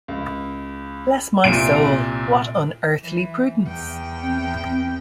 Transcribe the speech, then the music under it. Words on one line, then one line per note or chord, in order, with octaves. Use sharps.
Bless my soul, what unearthly prudence!
C#2
C2 A#2 D7
E3
E2 G5
C4